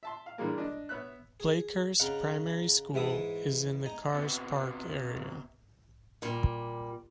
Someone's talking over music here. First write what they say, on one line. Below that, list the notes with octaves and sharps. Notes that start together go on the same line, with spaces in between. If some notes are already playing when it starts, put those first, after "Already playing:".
Blakehurst Primary School is in the Carss Park area.
E5 A5 C6
F5
D3 E3 G3 G#3 A#3
D4 D#5
B3 C#5 E5 F#6
G#4
C#3 D#4 F5 F#5
G#2 E3 E5 D#6
D#4 G#5
C3 B3
A#2 G3